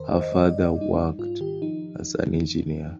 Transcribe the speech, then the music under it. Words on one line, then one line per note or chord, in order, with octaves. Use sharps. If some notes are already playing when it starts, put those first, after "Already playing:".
Her father worked as an engineer.
Already playing: F2 D#3 A#4 C5
D#3
D#5
G3 D5
G2 D#5
D5
G3
D#4
G3
G#2 F4
D#3 G4
F3 D#4